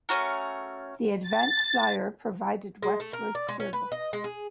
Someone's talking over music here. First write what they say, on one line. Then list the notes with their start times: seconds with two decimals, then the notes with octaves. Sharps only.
The "Advance Flyer" provided westward service.
0.09 A3 C#4 F#4 A#4
1.23 A6
2.82 G#3
3.00 A3
3.13 A#4
3.35 D5
3.48 G#3
3.60 C#4
3.73 B4
3.92 D#5
4.13 G#3
4.24 G#4